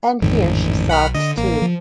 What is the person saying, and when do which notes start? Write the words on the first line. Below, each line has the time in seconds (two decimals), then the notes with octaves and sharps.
And here she sobbed too.
0.22 A1 F2 G#2 D#3
0.89 B1 F#5 B5 F6
1.14 D3 D#5
1.38 A1 A#3
1.62 F3